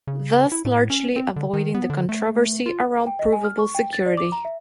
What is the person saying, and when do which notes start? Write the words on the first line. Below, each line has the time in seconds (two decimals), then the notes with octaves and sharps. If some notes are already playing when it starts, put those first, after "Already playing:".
Thus largely avoiding the controversy around provable security.
0.07 C#3
0.52 E4
0.65 A2
0.90 C#4
1.16 C4
1.36 D3
1.54 D#3
1.74 B3
1.90 D3
2.09 A3
2.66 F4
3.07 G5
3.19 D#5
3.32 G#5
3.44 F6
3.59 C#6
3.75 G5
3.93 A6
4.06 D5
4.17 D6
4.32 A#5
4.45 E5